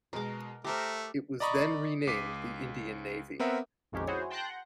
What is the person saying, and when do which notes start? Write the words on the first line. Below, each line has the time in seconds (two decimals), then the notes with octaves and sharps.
It was then renamed the Indian Navy.
0.13 B2 G#3 A#4 D6
0.64 A3 G4 A#4 C5 D6
1.40 D5 D#5 A#5 B5 C#6 D#6
2.07 C#2 D6 B6 C7 D#7
3.40 B3 C4 A#4 E5 F#5
3.92 A#1 F2 D#3 G#3 C#4 G4
4.07 E4 F#4 G#4 C5 C#5
4.30 G5 A5 C6 F#6 G6 A#6
4.49 F#5